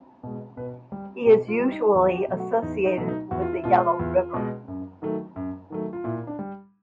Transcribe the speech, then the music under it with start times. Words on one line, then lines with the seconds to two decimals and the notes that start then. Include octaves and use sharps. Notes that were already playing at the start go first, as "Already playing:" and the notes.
He is usually associated with the Yellow River.
0.23 B2 G#3
0.57 B2 B4
0.92 G3
1.26 B2 G4
1.48 F4
1.60 G3
1.72 D#4
1.94 E2
2.06 F#4
2.17 G4
2.28 B2 F#3 A3
2.40 F#4
2.62 E2 D#4
2.85 D#4
2.97 B2 F#3 A3
3.08 D#4
3.31 E2 F#4
3.42 F4
3.53 E4
3.64 B2 G#3 F4
3.99 E2
4.34 B2 G#3
4.68 F#2
5.02 D#3 F#3 A3
5.36 F#2
5.70 D#3 F#3 A3
5.93 F4
6.04 A#2 E4
6.27 D4
6.39 G3